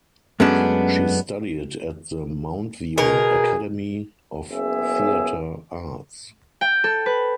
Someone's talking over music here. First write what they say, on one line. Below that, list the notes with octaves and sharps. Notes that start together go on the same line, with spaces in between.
She studied at the Mountview Academy of Theatre Arts.
F#2 G#3 A3 B3 C#4 D4
B2 G#4 A#4
F#1 C#3 B3 G#4 E5
G5
A4
B4